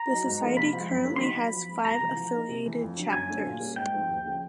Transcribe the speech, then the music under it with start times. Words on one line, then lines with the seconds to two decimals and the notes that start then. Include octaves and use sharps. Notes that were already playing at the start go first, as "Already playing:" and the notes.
The society currently has five affiliated chapters.
Already playing: A#5
0.09 F#3 B3 D#4 F#4
0.25 G#2
0.41 F3 A#3 D#4 G#4
0.57 C3 B5
0.73 F3 G#3
0.89 F#2
1.04 D3 F#3 A#3
1.16 C6
1.21 D#3 B5
1.37 F#3 B3
1.53 F3
1.69 G#3 C4
1.85 C2 A#5
2.01 C3 E3 A3
2.16 F3
2.33 A#3 D#4
2.49 C3
2.65 E3 A3
2.81 F2
2.96 D3 F#3
3.13 F#2 G#5
3.28 D3 F#3 A3 C#4
3.45 A#2
3.60 G3 A#3 C#4
3.76 G#2 G5
3.92 F3 A3 C4 D#4
4.09 D#2
4.25 C#3 F3 A3